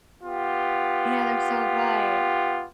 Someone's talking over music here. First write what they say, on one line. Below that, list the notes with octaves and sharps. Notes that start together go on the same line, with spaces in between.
Yeah, they're so good.
B3 F4 G4